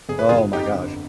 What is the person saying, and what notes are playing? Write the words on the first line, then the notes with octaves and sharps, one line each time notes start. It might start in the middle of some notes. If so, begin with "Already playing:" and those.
Oh, my gosh.
G1 G#4
B4
G1 F4 G#4
F2 D#4 G4
D3